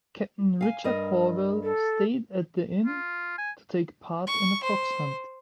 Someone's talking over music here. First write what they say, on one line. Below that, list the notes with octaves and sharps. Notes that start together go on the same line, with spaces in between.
Captain Richard Harwell stayed at the inn to take part in a fox hunt.
F5 G#5
G2 A#4 D#5
A4
F4
G#5
C#6
C5